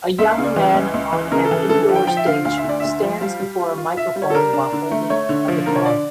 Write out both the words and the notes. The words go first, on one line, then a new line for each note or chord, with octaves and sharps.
A young man on an indoor stage stands before a microphone while holding a guitar.
C#2 E5
F5
C#3
D5
E3
C#2
C#2
E3
C#3 A#4
A4
E3
A4
D3 A4
A4
F3
G5
F3 G5
E5
D3 F5
D2 F5
E5
D3 D5
D2 E5
F3
G3 F5
G3
F4
F4
F4 E5
G3
C#5
A4
D4 A#4
D4
D3
A3
A3 C#5
D3
F3
D3 A#4
C#5
D5